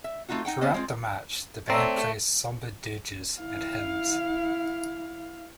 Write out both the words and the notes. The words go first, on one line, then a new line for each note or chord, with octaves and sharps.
Throughout the march, the band plays somber dirges and hymns.
E5
A3 C4 D#4 F4 F#4
D#4 F#5 G5
G3 B3 C4 C5 D#5
G#3 C4 F4
A3 C4 C#5 D5 A#5 E6
E4 F5